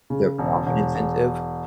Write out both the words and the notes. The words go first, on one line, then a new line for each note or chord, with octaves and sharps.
their profit incentive,
C#3
E1
E1
E1